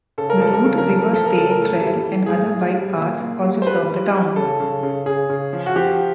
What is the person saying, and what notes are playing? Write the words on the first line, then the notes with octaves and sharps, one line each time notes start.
The Root River State Trail and other bike paths also serve the town.
C#3 A4
A#4
F3 A4
A#4
C#3 A4
A#4
F3 A4
A#4
F3 A4
A#4
C#3 A4
A#4
A2 A4
G3
E3
A2 G#4
A2
G3
A#2
A#2
G3
C5
G3 B4
G3
G3
C#3 A4
C#3
C#3
C#3 G#4
C#3
F3
F#4
F3 G4